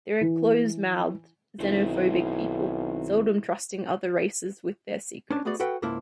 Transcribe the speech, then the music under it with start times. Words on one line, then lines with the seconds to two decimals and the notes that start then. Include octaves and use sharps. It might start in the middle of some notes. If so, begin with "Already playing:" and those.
They're a closed-mouthed, xenophobic people, seldom trusting other races with their secrets.
0.21 E3
1.60 B1 D#3 C4 D#4 E4
5.30 C#4 D4 A5
5.45 A3 B3 F#4 G#4 D5
5.60 F#4 A4 B4 F#5 G5
5.82 C#2 G#2 A#3 E4 A5